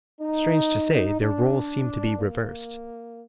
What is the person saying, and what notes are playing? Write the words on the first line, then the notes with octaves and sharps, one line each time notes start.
Strange to say, their roles seemed to be reversed.
D#4
D4
A#3